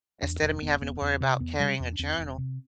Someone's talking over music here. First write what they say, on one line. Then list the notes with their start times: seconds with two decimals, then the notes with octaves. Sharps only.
instead of me having to worry about carrying a journal,
0.22 E2 D4
0.42 E1 D4
0.62 E1 B3
0.81 E1 B3
1.01 E2 C4
1.20 C3 C4
1.40 E2 B3
1.59 C3 G3
1.80 E2 C4
1.92 D4
1.99 E2 C4
2.18 E1
2.38 C3